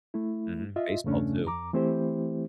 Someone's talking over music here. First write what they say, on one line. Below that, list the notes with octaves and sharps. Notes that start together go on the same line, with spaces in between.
Mhm, baseball too.
A3 E4
F4 D#5 E5
E2 G2 C#3 A3 C#4 D4
F2 A#5 D6
E3 A3 C4 E4 G4 C5